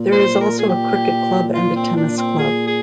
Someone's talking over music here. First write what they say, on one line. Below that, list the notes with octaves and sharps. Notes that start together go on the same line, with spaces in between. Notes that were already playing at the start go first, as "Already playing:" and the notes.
There is also a cricket club and a tennis club.
Already playing: A#2
C5
A#4
G#4
G4
F4
C4
D4
C4
G#4
G#4